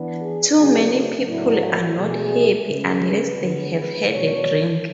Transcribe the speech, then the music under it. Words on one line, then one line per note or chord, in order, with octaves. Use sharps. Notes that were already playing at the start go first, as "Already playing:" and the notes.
Too many people are not happy unless they have had a drink.
Already playing: E3 B3 D4
G#4
C#3 F#3 B3 D4 G#4
A2 F#3 A3 D4 E4
F#4
B2 A3 D4 G#4
C#3 G#3 C#4 B4
B4
D3 G#3 B3 D4
B4
B2 F#3 B3 D4 C#5